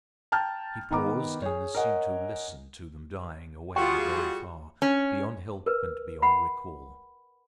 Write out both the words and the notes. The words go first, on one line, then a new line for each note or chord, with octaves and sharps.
He paused, and seemed to listen to them dying away very far--beyond help and beyond recall.
G5 A5 A#5 F6 G6
D#3 B3 A#5 D6
G#4 C#5
A#4 C#5 D#5 F#5 G#5
G3 F4 F#4 G#4 G5 C#6
C#4
A#4 B4
F#5 B5